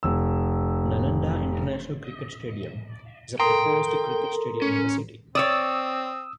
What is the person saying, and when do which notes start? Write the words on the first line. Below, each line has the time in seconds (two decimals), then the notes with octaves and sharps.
Nalanda International Cricket Stadium is a proposed cricket stadium in the city.
0.03 F1 E6
3.40 A4 A#4 G5 A#5 C6 D#6
4.62 C#4
5.35 C4 C#5 D5 D#6 E6